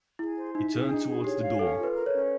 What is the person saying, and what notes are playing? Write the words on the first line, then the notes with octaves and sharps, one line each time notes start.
He turned towards the door.
E4 G#4
C5
D#4 E5
G#4
D4 D#4
G#4
G4 C#5
F5
C#4 A4
F4
B4
A#4
C#5
C#4